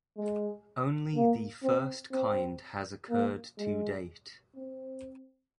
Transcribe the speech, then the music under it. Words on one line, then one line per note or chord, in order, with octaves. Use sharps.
Only the first kind has occurred to date.
G#3
A#3
C4
C4
A#3
G#3
C4